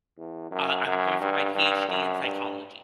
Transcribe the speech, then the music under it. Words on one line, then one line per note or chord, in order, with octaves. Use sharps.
Uh, I'm going for my PhD in psychology.
E2
F#2
F#2
G2
G2
F#2
G2